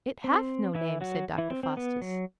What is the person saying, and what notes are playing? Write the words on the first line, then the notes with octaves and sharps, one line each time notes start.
"It hath no name," said Dr. Faustus.
C4
E3 E4
F#3 F#4
E3 E4
C4
C4
B3
F#3